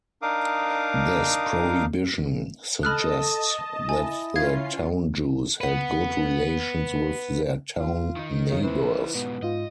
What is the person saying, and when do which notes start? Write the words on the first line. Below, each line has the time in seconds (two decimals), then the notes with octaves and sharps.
This prohibition suggests that the town Jews held good relations with their town neighbours.
0.22 D4 D#4 A#4 F5 D6 D#6
2.83 A4 D#5 A5 B5 D#6 F6 F#6
3.89 E4 G#5
4.36 C#4 F4 F5 G#6 C7
5.61 B4 F#5
7.80 F4
8.16 D#3 D#4
8.51 C#3
8.63 E3 E4 C5
9.15 G#2 B2 B3
9.43 G#2 F4 D#5